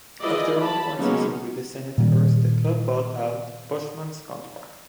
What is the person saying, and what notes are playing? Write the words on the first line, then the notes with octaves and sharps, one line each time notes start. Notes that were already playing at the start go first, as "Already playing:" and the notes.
After only one season with the Senators, the club bought out Boschman's contract.
E4 F4 G#4 B4 D5 D#5
A5 B5
F#3 G#3 A#3 B3 C#4 D#4
A#2 D#3 G3